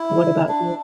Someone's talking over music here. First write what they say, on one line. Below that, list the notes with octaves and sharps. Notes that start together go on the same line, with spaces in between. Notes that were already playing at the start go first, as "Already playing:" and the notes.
what about you?
Already playing: E4
D4